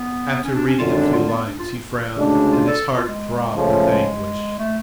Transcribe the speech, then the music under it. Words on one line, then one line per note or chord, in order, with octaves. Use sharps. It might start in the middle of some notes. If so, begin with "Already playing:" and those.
After reading a few lines he frowned and his heart throbbed with anguish.
Already playing: B3
C#4
D4
C#4
G#1 F#2 D3 F4
D4
F4
B3
D4
F4
D2 C#3 G#3 D4
F4
A4
F4
G#3
C#2 C#3 F3 A3 C#4
G#3
A3